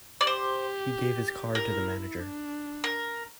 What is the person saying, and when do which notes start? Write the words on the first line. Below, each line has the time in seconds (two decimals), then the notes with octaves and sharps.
He gave his card to the manager.
0.21 D5
0.26 G4 C5
1.55 E4 A#4
2.19 D4
2.84 A#4